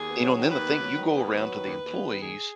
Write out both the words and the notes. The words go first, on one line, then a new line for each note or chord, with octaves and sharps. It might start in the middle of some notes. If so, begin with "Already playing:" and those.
You know? And then the thing you go around to the employees
Already playing: D#2 G#4
B3
F#3
D#3
D#2 B4
B3
F#3
D#3
D#2 B4
B3
F#3
D#3
D#2
D#2
B3
D#3
D#2 G#4